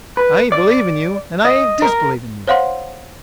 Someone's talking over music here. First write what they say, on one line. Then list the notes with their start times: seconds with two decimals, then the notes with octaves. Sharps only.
I ain't believing you and I ain't disbelieving you.
0.17 B4
0.52 D5
1.45 D#5
1.82 A#4
2.48 C5 C#5 F5 F#5 C6